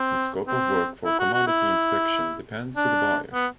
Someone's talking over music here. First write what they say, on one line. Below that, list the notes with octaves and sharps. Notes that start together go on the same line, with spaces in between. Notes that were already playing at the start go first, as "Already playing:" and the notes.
The scope of work for commodity inspection depends to the buyers.
Already playing: C4
C4
E4
F#4
F#4
E4
D4
B3